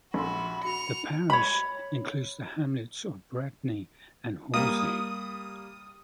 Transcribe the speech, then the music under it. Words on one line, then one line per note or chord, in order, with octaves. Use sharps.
The parish includes the hamlets of Bradney and Horsey.
A#1 F#4 A4 B5 C6
F#4 C#7 F7
C#5 B5
G3 A#3 D#6 D#7